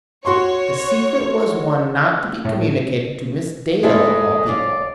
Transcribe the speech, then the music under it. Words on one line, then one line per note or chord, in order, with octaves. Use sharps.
"The secret was one not to be communicated to Miss Dale of all people."
F#4 C#5 C6 C#6
A2
G#3 A#3 E4 A4 D#5
C#5 D5 F5